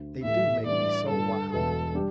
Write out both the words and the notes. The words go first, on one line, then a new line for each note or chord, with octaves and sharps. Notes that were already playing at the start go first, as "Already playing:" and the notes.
They do make me so wild.
Already playing: D2
A2 E3 A3 G4 E5
A2 E3 G3 D4 D5
G2 D3 G3 A4
E1 E2 B2 B3 A4
G3 D4 G4